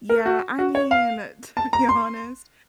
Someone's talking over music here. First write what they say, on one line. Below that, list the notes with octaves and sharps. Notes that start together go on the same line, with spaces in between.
Yeah, I mean, to be honest,
A#4
F#4
F#4
C#5
F5
A5
A#5
C6